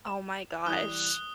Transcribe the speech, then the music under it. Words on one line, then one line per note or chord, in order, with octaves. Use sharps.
Oh my gosh.
E7
E3 G3 E4 D#6 F#6 G7